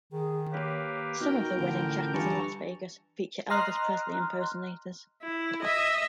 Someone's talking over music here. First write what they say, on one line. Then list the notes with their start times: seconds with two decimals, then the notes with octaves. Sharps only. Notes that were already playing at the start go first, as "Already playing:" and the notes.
Some of the wedding chapels in Las Vegas feature Elvis Presley impersonators.
0.13 D#3 G#4
0.52 A#3 G4 B4 C#5
1.21 B2 D#4 A#4 G5 G6
1.56 A1 D3 F4
2.14 G2 E3 A5 A#5 C#6
3.50 D#5 A#5 C6 F6 F#6
5.23 E4
5.62 D#5 E5